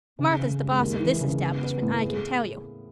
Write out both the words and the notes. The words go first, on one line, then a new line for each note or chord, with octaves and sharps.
Martha's the boss of this establishment I can tell you.
C#3
C#3
G#3
D#2
E3
C#3
B3
B3
A2
G#4